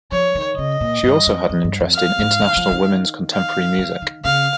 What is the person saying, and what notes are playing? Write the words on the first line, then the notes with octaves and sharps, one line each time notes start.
She also had an interest in International Women's Contemporary music.
F3 C#5
D#3
C#3 D#5
A#2
G2
F2
F2
G2
F2
F5
G#2
D#3
F3
D#3
F5
F3
D#3
C#3 F5